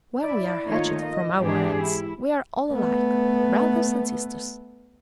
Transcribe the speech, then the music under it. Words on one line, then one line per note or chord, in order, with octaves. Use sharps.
When we are hatched from our eggs we are all alike, brothers and sisters.
E4 D5
D#3 A3 A#3 D#4 F4 C#5
D#5
G#2 E3 C4 D4 G4 G#4
E4
A3 B3